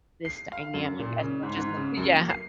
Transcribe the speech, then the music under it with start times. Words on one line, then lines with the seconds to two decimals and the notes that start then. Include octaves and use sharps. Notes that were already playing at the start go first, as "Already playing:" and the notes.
this dynamic as much as I" Yeah.
0.25 C7
0.52 F5
0.74 F#2
0.99 A#2
1.21 C#3
1.43 G#2
1.56 G#2
1.77 C#3
1.97 F#2
2.09 A#3
2.29 C7